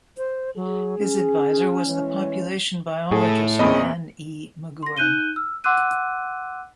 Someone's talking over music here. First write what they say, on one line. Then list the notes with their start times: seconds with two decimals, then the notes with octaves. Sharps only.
His advisor was the population biologist Anne E. Magurran.
0.17 C5
0.56 F#3 G#4
0.99 C#4
1.85 E3 G#3 C#5
3.11 A2 A3 G#4
3.59 E2 A#2 C#3 C4 D#5 B5 D#6
4.83 C6 A#6
4.97 D#4 F#6 G6 D#7 G7
5.36 E6 F6
5.64 F#5 C6 D6 E6 F#6 D#7